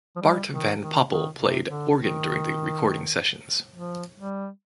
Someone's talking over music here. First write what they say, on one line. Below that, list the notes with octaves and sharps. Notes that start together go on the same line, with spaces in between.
Bart Van Poppel played organ during the recording sessions.
F3
G3
D#3
D#3
D#3
C3
D3
D#3
F3
G3